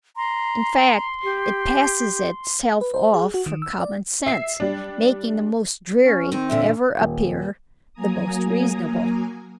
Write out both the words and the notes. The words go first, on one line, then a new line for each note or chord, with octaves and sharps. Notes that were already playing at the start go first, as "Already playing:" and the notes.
In fact, it passes itself off for common sense, making the most dreary ever appear the most reasonable.
A#5 C6
G4
B4
C5
G#4
F#4
D#3
E6
D5
E5 C7
G3 D4
C#4
D#3 C4 D#4
E2 A#2 D3 E5
D#1
F#3 A#3 G#5 A#5 D#6